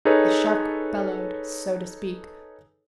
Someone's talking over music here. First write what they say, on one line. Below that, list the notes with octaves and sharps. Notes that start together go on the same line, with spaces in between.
The shark bellowed, so to speak.
D#4 G#4 A4 B4 C#5